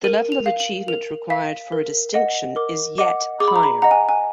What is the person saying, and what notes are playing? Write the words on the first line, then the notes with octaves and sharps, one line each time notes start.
The level of achievement required for a distinction is yet higher.
A#4 D#7
F7
F5
F#7
A#4 F7
F5 B6
A#4
D#5 F#5
A#4 D6
D#5 F#5 D6
G#4 D6
B5
A#5
B5
D#5 F#5 A#5
G#5
G#5